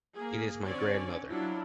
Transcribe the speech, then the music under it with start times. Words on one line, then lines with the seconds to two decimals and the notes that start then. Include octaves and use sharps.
It is my grandmother.
0.15 A#3 G#4
0.65 D3 C4 C#4 C#5 D5
1.29 F#3 D4 E4 F4